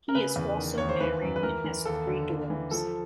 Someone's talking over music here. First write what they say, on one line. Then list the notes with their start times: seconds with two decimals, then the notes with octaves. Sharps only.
He is also married and has three daughters.
0.09 A#4
0.15 C#3 B4
0.36 E2
0.57 D#3
0.78 D#2 C#5
0.89 C5
1.00 E3 B4
1.22 F#2
1.36 B4
1.43 E3 A#4
1.64 E3
1.85 D#2 A4
2.07 D3
2.28 D#2
2.50 E3
2.71 F3 A4